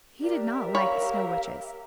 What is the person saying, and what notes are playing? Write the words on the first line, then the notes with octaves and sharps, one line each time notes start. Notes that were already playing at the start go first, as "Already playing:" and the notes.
He did not like the Snow Witches.
G4 A#4 D5 E5
C#5 F5 B5